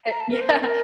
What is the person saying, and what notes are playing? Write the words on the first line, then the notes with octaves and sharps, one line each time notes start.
Eh yeah,
A#5
A5
A#4
C5
A#4
A#4